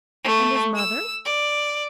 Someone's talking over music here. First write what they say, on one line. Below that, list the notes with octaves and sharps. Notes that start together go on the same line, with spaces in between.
"And his mother?"
A3
E6
D5